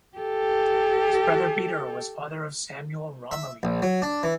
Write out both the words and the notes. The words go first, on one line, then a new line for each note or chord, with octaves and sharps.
His brother Peter was father of Samuel Romilly.
G4 A4
E5
A#1
F#3
D4
E3